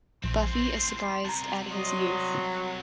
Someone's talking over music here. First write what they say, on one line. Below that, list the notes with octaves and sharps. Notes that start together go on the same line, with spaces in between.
Buffy is surprised at his youth.
A#1 A2 C4 C6
C2 C3 A5 A#5
F#3 D5 D#5 C6